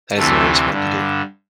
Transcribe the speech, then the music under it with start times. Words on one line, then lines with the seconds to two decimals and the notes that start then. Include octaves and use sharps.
That is very smart to do.
0.16 D2 C3 E3 A3
0.69 G2 D3